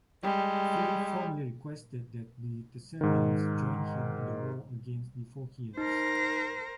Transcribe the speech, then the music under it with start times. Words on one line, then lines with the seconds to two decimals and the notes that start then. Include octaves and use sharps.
Philip formally requested that the Thessalians join him in the war against the Phocians.
0.23 G3 G#3
3.01 G#2 D#3
5.77 D#4 A#4 C5